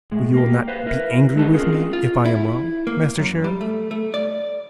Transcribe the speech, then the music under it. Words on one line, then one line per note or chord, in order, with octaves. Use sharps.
"But you will not be angry with me if I am wrong, Master Sheriff?"
A2 G#3
A#3 G4
B4 C5 F5
E4 A#4 B4
G#3 D4 G4 A4 B4 A5
C4 C#4 F4 G#4 A#4
F4
E4
A#3
F#2
G3
A3
A3
D5